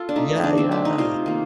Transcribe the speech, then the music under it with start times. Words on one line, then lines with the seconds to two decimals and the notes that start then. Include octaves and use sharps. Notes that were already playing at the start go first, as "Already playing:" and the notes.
Yeah, yeah.
Already playing: F4 A4
0.09 D4
0.16 A3 D#4
0.44 D3 D4
0.57 C4
0.71 A3 D4
0.85 D#4
0.98 C3 F4
1.26 D#3 A#3